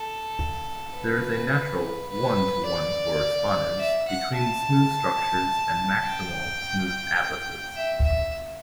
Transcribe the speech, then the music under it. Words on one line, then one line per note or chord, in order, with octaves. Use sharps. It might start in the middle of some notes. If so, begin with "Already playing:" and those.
There is a natural one-to-one correspondence between smooth structures and maximal smooth atlases.
Already playing: A4
B4
B4
D5
E5
F#5
A5
G5
E5
E5